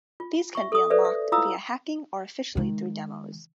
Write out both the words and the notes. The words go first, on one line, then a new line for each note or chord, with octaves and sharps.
These can be unlocked via hacking or officially through demos.
F4
E5 C#6
A4 D#6
A4 B4 C5 D5 E5
E5
E4 F4 F5 A#5 D#6 E6
D#3 G#3